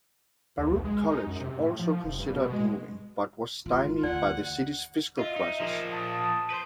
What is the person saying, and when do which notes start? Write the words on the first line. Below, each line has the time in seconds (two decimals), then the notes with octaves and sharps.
Baruch College also considered moving but was stymied by the City's fiscal crisis.
0.58 D#2
0.71 B1
0.85 G#3
1.10 D#4
1.27 F#2
1.41 C3
1.59 A2
1.79 F3
2.04 F1
2.19 G2
2.35 B2
2.53 G#3
3.65 G#1 F4
4.03 D2 D3 E3 D5 F#5
5.19 F4 D#5 E5
5.36 D#4
5.60 F3 A#3
5.92 A5 D#6
6.50 B4 C5